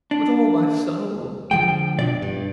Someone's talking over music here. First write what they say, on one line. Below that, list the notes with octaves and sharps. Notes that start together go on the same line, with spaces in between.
"With all my soul."
D4
D3 F3 G#3 G5
B2 F3 D4 D5
G2